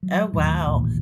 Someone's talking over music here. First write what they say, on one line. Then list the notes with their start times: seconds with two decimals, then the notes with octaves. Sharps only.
Oh, wow.
0.03 F#3
0.33 D#2 A2
0.66 G#1 D2 A#2 E3